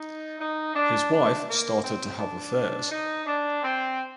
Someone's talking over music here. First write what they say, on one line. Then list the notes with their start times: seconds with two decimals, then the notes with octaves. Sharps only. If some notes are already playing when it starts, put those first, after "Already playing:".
His wife started to have affairs.
Already playing: D#4
0.40 D#4
0.75 D4
1.12 D4
1.48 A#3
1.83 C4
2.18 D4
2.90 D#4
3.26 D4
3.62 C4